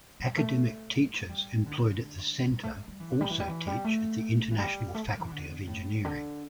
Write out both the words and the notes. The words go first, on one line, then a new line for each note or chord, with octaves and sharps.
Academic teachers employed at the Centre also teach at the International Faculty of Engineering.
G3
A3
G3
D3
G3
A3
G3
G3
E3
D3
G3
E3
G3
E3
G3
A3
E3
G3
A3
G3
E3
D3
A2
D3